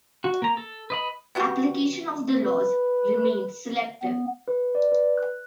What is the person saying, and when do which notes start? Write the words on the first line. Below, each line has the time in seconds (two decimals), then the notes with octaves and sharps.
Application of the laws remains selective.
0.24 F#4
0.42 A#3 A#5
0.57 A4
0.90 B4 D#5 B5
1.35 B3 F#4 G4
2.43 B4
4.02 B3
4.48 B4
4.75 D5
4.92 B4
5.17 F#6